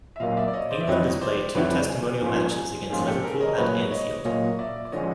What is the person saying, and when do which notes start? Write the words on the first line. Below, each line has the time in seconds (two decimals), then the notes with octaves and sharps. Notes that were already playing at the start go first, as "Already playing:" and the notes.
England has played two testimonial matches against Liverpool at Anfield.
0.16 E5
0.20 A#2 F#3 A#3 D#5 F5
0.37 D5 E5
0.48 D5
0.53 C#5 D#5
0.71 C5 D5
0.80 E5
0.87 F2 D3 G3 C4 E4 C#5 D#5
1.21 C5 D5
1.55 F2 D3 G3 C4 E4 B4 C#5
1.89 G#4
2.22 G#2 F3 A#3 C#4 F4 G#4
2.56 G#4
2.90 G#2 F3 A#3 C#4 F4 G#4
3.07 G4 A4
3.23 G#4 A#4
3.40 C#5 D#5
3.58 A#2 F#3 A#3 B4 C#5
3.91 C#5 D#5
4.25 A#2 F#3 A#3 C#5 D#5
4.59 D5 E5
4.85 D5
4.92 D3 F3 G#3 C#4 C#5 D#5